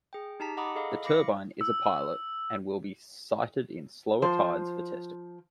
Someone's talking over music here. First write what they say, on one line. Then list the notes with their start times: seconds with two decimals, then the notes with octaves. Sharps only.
The turbine is a pilot, and will be sited in slower tides for testing.
0.13 G#4 G5
0.40 D#4 G4 A5 A#5 B6
0.57 D#5 F#5 A#5 B5 D6 D#6
0.75 G#4 A4 D#5 F5 B5
1.04 F5 B5 D6 A#6 C#7
1.61 E6
4.22 F3 C5